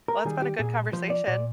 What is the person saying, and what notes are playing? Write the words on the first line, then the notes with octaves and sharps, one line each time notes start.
Well, it's been a good conversation.
A#4
D#3 G3 G#4
G4
A#2 G#4
F3 C5
D5
A#2 D5